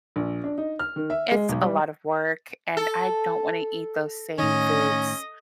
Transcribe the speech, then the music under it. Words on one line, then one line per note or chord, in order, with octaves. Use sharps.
It's a lot of work, and I don't wanna eat those same foods
A#1
D4
D#4
F6
D#3
E5
G#3
B1
G3
A4
A2 D#3 C#4 D#5